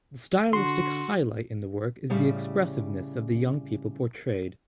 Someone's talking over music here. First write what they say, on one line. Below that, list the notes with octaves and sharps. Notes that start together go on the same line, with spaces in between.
The stylistic highlight in the work is the expressiveness of the young people portrayed.
D3 F#4 C6
A2 C#3 G3